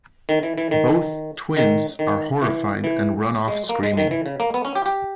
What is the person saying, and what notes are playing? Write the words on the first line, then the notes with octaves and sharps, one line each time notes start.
Both twins are horrified and run off screaming.
D#3
E3
E3
D#3
D#3
D#3
E3
E3
G#3
A#3
G#3
D#3
E3
C#3
A#3
B3
C#4
G4
G4